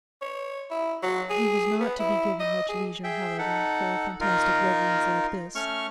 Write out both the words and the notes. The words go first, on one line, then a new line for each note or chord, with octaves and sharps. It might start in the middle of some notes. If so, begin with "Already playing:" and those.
He was not to be given much leisure, however, for fantastic reveries like this.
C#5
E4
F#3
G#4
B3
E4
D#5
G#4
G#4 E5 G5
D#4 A4 F#5
D#4 F4 A#4
A3 C#4 C#6 F6